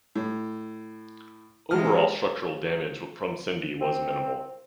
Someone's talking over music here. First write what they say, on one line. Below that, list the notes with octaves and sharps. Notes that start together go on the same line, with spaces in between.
Overall structural damage from Cindy was minimal.
A2
E3 G#3 G4 F6
C4